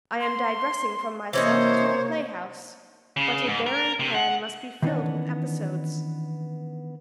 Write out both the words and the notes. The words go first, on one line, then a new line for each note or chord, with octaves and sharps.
I am digressing from myself to the play-house; but a barren plan must be filled with episodes.
C6
C3 E3 A#3 C#4 C5 C#5 D#5
C#3
G#2
A#4
C3
F#5
D#3 E3 A#3 B3 C#4 D4